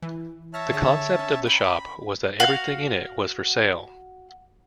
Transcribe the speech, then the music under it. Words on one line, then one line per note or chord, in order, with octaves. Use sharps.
The concept of the shop was that everything in it was for sale.
E3
C#5 E5 A5 F6 A#6
D3 G#4 A#6
C#4
G5 A#5 B5
F#4 F5